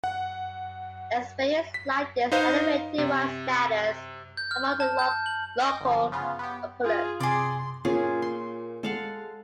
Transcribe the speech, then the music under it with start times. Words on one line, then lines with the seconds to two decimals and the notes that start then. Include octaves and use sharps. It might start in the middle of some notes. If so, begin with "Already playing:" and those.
Experience like this elevated Wang's status among the local populace.
0.04 F#5
1.74 B6
2.32 D#4 B4 C5 D#5 F5
2.98 C3
4.37 G6
4.51 F6
4.80 A5
4.99 G6
5.26 F#7
5.60 D#5 D6 G6 A#6
5.81 G1 F3
6.12 C#3 B3 F4
6.39 B3 G4
6.84 F4 G#4
7.20 C3 G#4 D5 C6
7.85 A#2 A#3 C#4 F4 G#4
8.22 C6
8.83 G#3 A4 F5 F#5